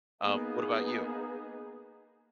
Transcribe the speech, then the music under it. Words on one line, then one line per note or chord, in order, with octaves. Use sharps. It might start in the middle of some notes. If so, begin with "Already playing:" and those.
Um, what about you?
A#3 B3 D#4 G#4